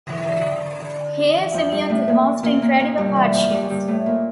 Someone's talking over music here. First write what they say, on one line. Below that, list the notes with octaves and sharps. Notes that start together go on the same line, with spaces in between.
He is immune to the most incredible hardships.
E3
D3
D3
E3
F2 F3
G2 G3
A2 A3
A#2 A#3
A#2 A#3
A#2 A#3
A#2 A#3
G2 G3
E3
F2 F3
G2 G3
G2 G3
A2 A3
A#2 A#3